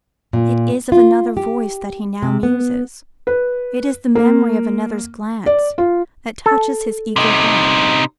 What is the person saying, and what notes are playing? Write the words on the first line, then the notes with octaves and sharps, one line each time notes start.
It is of another voice that he now muses; it is the memory of another's glance that touches his eager heart.
A#2
F4
G4
C3
B3
B4
A#3
D5
F4
A4
C3 D#4